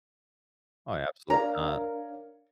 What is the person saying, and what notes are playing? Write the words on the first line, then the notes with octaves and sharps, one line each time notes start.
Oh, yeah, absolutely not.
D4 A#4 C#5 D5 F5 A#5